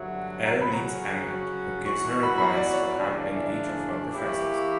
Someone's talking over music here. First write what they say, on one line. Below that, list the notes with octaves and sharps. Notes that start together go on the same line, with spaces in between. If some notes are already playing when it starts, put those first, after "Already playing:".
Elle meets Emmett, who gives her advice for handling each of her professors.
Already playing: G2 D3 F#3 E5 F#5
F#5
A#5
B5
C#3 F#3 C#4 F#4 A#5
E3 B3 F#4 C#6
C#6
B5
B5
A#5
D5
C#5
B4
C#3 E3 A#3 D4 D5
D5
E5
D5
E5
E3 A#3 E4 G4 D6
C#6
D6
C#6